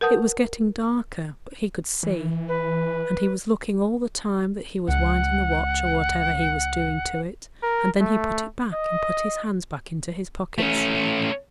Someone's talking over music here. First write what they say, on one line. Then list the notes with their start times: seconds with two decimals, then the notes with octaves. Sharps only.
It was getting darker but he could see and he was looking all the time that he was winding the watch or whatever he was doing to it and then he put it back and put his hands back into his pockets.
0.01 A#4 B4 F#5 A5 D#6 G6
2.03 E3
2.48 B4
4.88 C#2 F#5
7.63 A#4
8.01 A3
8.73 D#5
10.58 A3 C#4